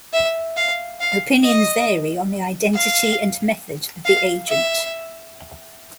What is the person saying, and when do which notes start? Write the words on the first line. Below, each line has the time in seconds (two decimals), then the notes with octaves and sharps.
Opinions vary on the identity and method of the agent.
0.13 E5
0.57 F5
1.00 F5
1.44 D#5
2.74 F5
4.05 F5
4.49 E5